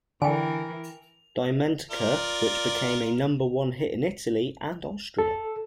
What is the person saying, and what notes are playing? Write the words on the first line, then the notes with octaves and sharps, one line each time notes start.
Dimentica, which became a number-one hit in Italy and Austria.
D3 E3 A#4 G5 G#5
F4 A#4 D5
A4